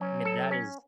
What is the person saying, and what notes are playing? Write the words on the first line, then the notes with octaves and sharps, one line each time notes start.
I mean, that is
F#3 C#4
A4
C#4